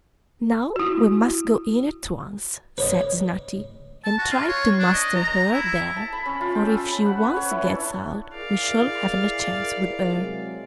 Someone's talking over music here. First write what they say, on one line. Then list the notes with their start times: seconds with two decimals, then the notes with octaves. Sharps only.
'Now we must go in at once,' said Snati, 'and try to master her there, for if she once gets out we shall have no chance with her.
0.76 E4 F#4
2.78 B4 C#5 D#5
4.05 A5
4.18 F#4
4.31 F4
4.48 C#5
4.79 D4
4.93 D#5
5.15 A#5
5.52 E4
5.96 A5
6.12 B5
6.26 C#4
6.41 F4
6.55 G5
6.67 E6
6.91 B5
7.06 F#5
7.23 B4
7.36 C#5
7.51 E4
7.65 D4
8.34 E4 G#4 A#4 D5 F5
10.14 C3 F#3 G#3